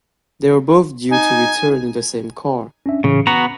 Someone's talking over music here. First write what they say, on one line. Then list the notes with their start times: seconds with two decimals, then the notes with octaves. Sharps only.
They are both due to return in the same car.
1.11 D#4 G#5
2.86 C#4 D4 E5
3.04 A2 C#3 E3 C#4
3.27 B3 F#4 A#5 C#7